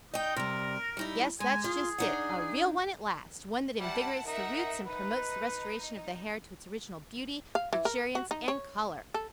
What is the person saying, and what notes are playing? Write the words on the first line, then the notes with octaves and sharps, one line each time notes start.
Yes--that's just it--a real one at last--one that invigorates the roots and promotes the restoration of the hair to its original beauty, luxuriance and color.
D#4 D#5 G5
C3 G3 A#4
G3 D#4 E4
G#3 G#5
F4 G#4
D4 D#4 F#5
G3 E4 F#5 A5
D#4 A#4 E5 F#5
D#4 B4
F5
E3
A#4
F#4
D#4
C#5
A4